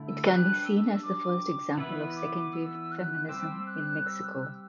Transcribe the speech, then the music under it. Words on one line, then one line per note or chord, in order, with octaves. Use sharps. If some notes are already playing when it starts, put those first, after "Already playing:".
It can be seen as the first example of second wave feminism in Mexico.
Already playing: D3 A3 E4
E6
D4 G4 B4 F#6
E6
D6
E3 B3 E4 B4 E6
D6
E6
E6
F#6
G3 C4 G4 C5 E6
F#6
E6
F#6
E6